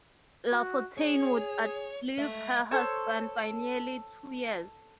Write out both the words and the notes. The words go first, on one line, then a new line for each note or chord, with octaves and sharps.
Lafontaine would outlive her husband by nearly two years.
F#4
G#4 C#5
G#3 A3 E5
A4 C5 C#5